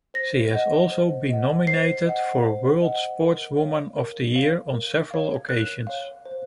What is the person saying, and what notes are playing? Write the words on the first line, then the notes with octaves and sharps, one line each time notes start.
She has also been nominated for World Sportswoman of the year on several occasions.
C5 A#6
D#5 F#5
C5
D#5 F#5
C5 C7
D#5 F#5
C5
D#5 F#5
A#4
C#5 F5
A#4
C#5 F5
A#4
C#5 F5
A#4 F#6
C#5 F5
C5